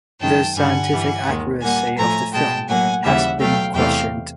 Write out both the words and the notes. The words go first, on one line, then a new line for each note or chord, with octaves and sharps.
The scientific accuracy of the film has been questioned.
F#2 D#3 G#3 G5 A5
G2 D3 G3 F#5 G#5
G2 E3 G3
D#2 D#3 G#3
A#2 G3 A#3 F#5 G#5
A2 F3 A3 G#5 A#5
B2 G#3 G5 A5
A2 F#3 A#3 F#5 G#5
D#2 C#3 E3 G3 E5 F#5
B2 F#3 A3 F5 G5
E2 C3 E3 A3 F5 G5